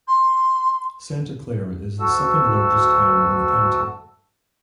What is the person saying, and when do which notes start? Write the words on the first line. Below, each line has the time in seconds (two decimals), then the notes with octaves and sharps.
Santa Clara is the second largest town in the county.
0.07 C6
2.00 D2 F#4 A4 E6